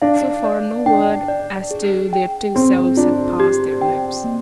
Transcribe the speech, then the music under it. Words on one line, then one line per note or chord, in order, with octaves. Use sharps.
So far, no word as to their two selves had passed their lips.
D4 F5
D5
D4 G5
D5
G#4
G5
C4 G#4
D4 F4
G4
G5
A#3